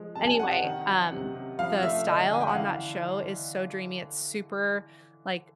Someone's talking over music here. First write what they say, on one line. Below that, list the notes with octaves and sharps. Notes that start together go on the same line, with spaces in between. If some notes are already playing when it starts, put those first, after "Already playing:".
Anyway, um, the style on that show is so dreamy, it's super, like,
Already playing: F3 G#3
C3 A5
G#5
C3 F#5
F#5
D#3
F#3
C3
C3
F3 F5
A3 E5
D3 D#5
D3 G#5
G5
F#5
E3 F5